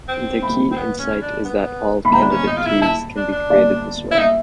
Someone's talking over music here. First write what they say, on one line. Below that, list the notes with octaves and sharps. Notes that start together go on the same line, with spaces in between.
The key insight is that all candidate keys can be created this way.
C4
B5
C4
B3
C#4
D4
B3
B5
C4 A#5
D4
C#4
D#4
F4
E4
E4 A5
D4
D4
D5
E4
D#4 E5